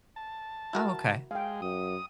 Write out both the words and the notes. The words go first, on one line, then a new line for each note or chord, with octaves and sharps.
Oh, okay.
A5
E4 F#4 A#4
G#3 F5 G5
F#2 D#6